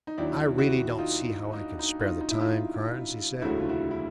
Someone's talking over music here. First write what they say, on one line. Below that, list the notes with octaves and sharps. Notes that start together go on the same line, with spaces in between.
"I really don't see how I can spare the time, Carnes," he said.
D#4
D#2 D#3 F#3 D4 E4
E4 F#4
D#4 F4
D#4
D#4
D#4 F4
D#4
E4
D#4 F4
E1 D2 C#3 F#3 A3 E4 F#4
F4
E4 F#4
E4